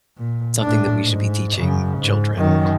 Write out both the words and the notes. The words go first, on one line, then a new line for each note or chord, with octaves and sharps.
something that we should be teaching children,
A#2
A2 D4
G#2
F#2 C#3
G#2
F#2 D#3